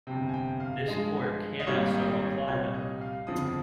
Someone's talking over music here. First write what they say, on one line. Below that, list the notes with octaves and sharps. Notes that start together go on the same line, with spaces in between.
This court cannot so apply them.
G1 F2 C3 G5
G#5
G5
F5
G2 F3 G#3 D#5
D#5
G#1 G#2 D#3 G3 A#3 C#5
D#5
C#5
C5
C2 A#2 G3 A#3 C#5
D#5
F5
G1 F2 C#3 F3 D#6